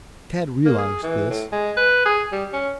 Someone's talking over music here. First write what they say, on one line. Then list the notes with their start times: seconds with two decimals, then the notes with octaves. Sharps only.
Tad realized this.
0.65 A#3
0.78 G#4
1.03 E3
1.30 A2
1.52 G#3
1.77 B4
2.05 G#4
2.32 G3
2.53 C#4